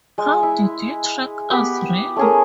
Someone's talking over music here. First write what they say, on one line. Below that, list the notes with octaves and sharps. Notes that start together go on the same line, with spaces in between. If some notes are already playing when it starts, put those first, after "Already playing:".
How did you track us, really?
G#3
E4
B3 G4 B4
A3 C#4 G#4 A#4